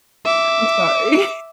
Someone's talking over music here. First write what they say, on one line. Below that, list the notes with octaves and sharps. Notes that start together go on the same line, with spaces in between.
I'm sorry.
E5 D6